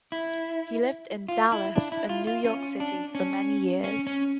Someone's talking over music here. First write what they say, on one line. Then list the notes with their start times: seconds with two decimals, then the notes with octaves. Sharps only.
He lived in Dallas and New York City for many years.
0.12 E4
1.28 F4
1.52 E4
1.76 D4
1.92 E4
2.09 F4
2.27 F4
2.45 C#4
2.80 D4
3.15 C#4
3.84 C#4
4.07 C#4